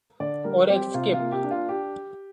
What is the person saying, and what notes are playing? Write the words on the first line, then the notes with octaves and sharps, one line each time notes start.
Or escape?
D3 D5
G3 A#4
C4 G4
C3 F4
F4
A#3
G4
D4
F4
G4